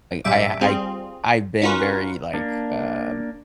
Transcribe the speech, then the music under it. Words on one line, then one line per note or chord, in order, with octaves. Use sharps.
I I I've been very, like, um,
A#1 F#2 G3 E5 D6
G3 C4 F4 G#4
C#4 D#4 F4 F#4 A#4 B4
A#3 D4